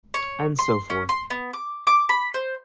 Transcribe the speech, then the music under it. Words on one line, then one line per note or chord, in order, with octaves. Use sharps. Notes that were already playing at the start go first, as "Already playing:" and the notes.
And so forth.
C#5
C6
C#4
C6
B3
D6
D6
B5
C5